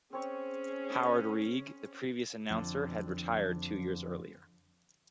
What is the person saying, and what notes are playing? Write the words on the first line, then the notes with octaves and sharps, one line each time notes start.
Howard Reig, the previous announcer, had retired two years earlier.
C4 C#4 G#4 C#5 C#6
F2 D3